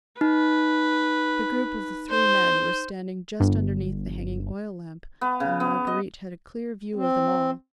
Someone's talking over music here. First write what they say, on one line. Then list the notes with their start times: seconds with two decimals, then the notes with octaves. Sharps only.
The group of the three men were standing just underneath the hanging oil-lamp, and Marguerite had a clear view of them all.
0.21 D#4 B4
2.10 C5
3.40 G1
5.21 B3
5.40 C#3
5.60 B3
5.87 D#5
6.95 C4